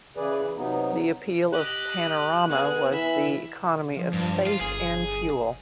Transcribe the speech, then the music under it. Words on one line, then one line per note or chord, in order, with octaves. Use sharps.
The appeal of Panorama was the economy of space and fuel.
C#3 E3 G#4 B4 D5
C3 F#3 B3 D#4
G4 D#5 F#6
G#3 B3 G#4
E3 E5 B5
F3
G2
F4
G1 G#4